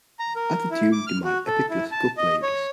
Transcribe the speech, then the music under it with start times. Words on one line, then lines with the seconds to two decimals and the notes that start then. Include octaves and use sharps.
Add the tune to my Epic Classical playlist.
0.19 A#5
0.36 A#4
0.71 E4
0.92 D6
1.07 F6
1.24 F#4
1.46 A4
1.70 E4
1.91 A5
2.17 D#5
2.43 C#5